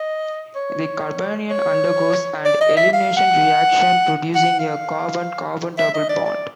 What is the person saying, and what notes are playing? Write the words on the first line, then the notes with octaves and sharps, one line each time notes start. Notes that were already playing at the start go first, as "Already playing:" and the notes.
The carbanion undergoes an elimination reaction producing a carbon-carbon double bond.
Already playing: D#5
C#5
C#5
D5
D#5
E5
F5
F#5
F#5
F5
E5
D#5
D5
D5